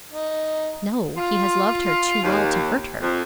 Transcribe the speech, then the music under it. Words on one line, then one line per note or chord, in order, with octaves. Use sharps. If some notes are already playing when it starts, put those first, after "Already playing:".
'No, he has loved her too well to hurt her.'
D#4
F4
D#2
F2